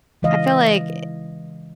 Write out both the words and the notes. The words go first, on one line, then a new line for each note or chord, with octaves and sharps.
I feel, like, eh
C#3 E3 G#3 D#5 F5